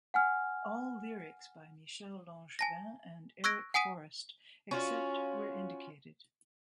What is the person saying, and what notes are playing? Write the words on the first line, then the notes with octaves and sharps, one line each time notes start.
All lyrics by Michel Langevin and Eric Forrest, except where indicated.
F#5 G#5 F6
G#5 A5 A#6
C#6 E6 F#6 G#6 A#6 D7
F#5 G#5 D#6 B6 D#7
C#4 F4 F#4